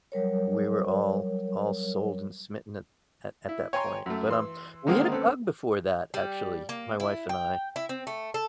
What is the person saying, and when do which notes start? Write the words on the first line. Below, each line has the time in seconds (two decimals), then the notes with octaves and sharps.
we were all all sold and smitten at at at that point, but, um, we had a pug before that, actually, my wife and I
0.12 F#3 G3 A#4 C#5
3.49 E4
3.73 C#5 G5 G#5 A#5 C6
4.06 F#2 A3
4.28 E3 C6 E6
4.87 D3 D#3 G#3 A#3 C4
5.12 C4 C#4 A4 B4
6.14 G3
6.69 A#3
7.00 E4
7.29 G5
7.76 E4
7.89 C4
8.07 A3
8.34 A4